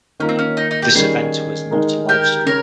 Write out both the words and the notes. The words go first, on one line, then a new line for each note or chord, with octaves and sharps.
This event was not livestreamed.
D#3 A#3 C#4 F4 A#4
C4
C#4
D#4
D#4
G4
D#3 G3 C#4 G#4
D#3 G#3 D#4 A#4
G4 A#4
C#3 A#4 C#5